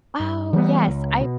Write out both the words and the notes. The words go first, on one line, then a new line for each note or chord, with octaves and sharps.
Oh, yes, I
G2
E3 G3 B3
C#2
B2